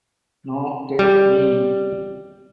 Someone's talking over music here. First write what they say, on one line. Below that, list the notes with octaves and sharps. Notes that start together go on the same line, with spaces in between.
Noh Tek Mi!
G3